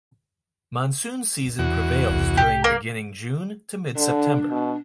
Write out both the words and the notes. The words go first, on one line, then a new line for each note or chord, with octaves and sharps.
Monsoon season prevails during beginning-June to mid-September.
F#2 D3
E2 F#4
C2 C#3
G4
A#3
D3 D4
B2